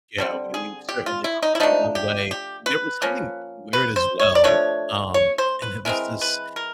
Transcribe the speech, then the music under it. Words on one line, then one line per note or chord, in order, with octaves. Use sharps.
Yeah, well, we've certainly come a long way. There was something weird as well, um, and it was this
D3 G3 C4
G#4
G4
F4
E4
D#4
E4
F3 A3 D4 D#4
G4
G4
B4
F3 A#3 C#4
B4
C5
C#5
D5
F3 A3 D4 C#5
C#5
C5
B4
E3 G#3 C4 A#4
B4
A#4